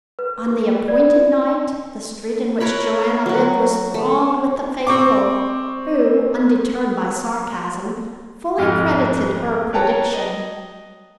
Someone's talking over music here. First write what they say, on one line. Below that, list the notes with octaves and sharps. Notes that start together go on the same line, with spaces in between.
On the appointed night, the street in which Joanna lived was thronged with the faithful, who, undeterred by sarcasm, fully credited her prediction.
B4
D5
A#4 B4 C#5 B5
F#3 F#4
A3
C4 C#6 D6
F2 G#2 D#5 G5 F6
B4 C#5 G5 A5 A#5
D#5